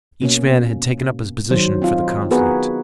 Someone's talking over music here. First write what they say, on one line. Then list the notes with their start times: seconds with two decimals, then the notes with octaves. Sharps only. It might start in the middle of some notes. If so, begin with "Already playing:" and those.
Each man had taken up his position for the conflict.
0.22 B2 A#3 C#4
1.51 D#3 F#3 C5
1.82 C4 D#4 F4
2.31 B3 F#4 G#4 A#4 B4 F#5